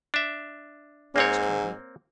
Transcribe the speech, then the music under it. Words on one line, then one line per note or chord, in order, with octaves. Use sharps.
"Which, Katy?"
D4 E5
G#2 A#3 C4 C#5